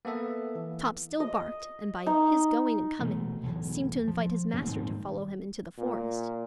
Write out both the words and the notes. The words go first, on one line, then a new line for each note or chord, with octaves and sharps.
Top still barked, and by his going and coming, seemed to invite his master to follow him into the forest.
A#3 B3 A4 E5
E3
D#5
D#4
B2 E3 A3
B1 E2 A2
F3
A1 D#2 A#3 B3
D#1 G#2 D#3 C4
A#2